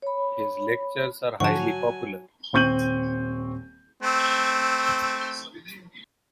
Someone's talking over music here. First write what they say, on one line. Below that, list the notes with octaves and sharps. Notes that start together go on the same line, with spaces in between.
His lectures are highly popular.
C#5 B5
G#2 D3 F3 F#3 F#5 G#5 A5 C#6
D#1 C4 C#6 G6 D#7 F#7
A3 C4